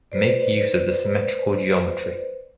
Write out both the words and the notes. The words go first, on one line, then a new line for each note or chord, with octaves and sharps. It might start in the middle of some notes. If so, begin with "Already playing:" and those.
Make use of the symmetrical geometry.
B4 C5 D5